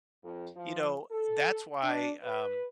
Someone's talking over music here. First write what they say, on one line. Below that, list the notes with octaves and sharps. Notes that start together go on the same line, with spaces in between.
you know, that's why, um,
F2
F3
A4
D4
B4